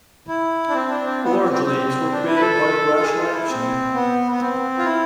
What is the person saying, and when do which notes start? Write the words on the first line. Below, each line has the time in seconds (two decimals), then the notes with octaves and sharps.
Large lakes were created by glacial action.
0.28 E4
0.69 D4
0.74 C4
0.89 D4
1.04 C4
1.23 B3
1.34 C4
1.51 C4
1.65 C4
2.12 D4
2.27 E4
2.36 B4
2.41 A4
2.98 F4
3.03 G#4
3.18 F4
3.33 E4
3.49 C4
3.94 B3
4.31 B3
4.40 C4
4.78 F4
4.86 E4